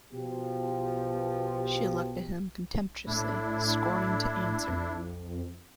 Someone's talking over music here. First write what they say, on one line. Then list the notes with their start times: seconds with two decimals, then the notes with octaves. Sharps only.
She looked at him contemptuously, scorning to answer.
0.12 B2 F3 G4
3.07 A2 D4 E4
4.68 F2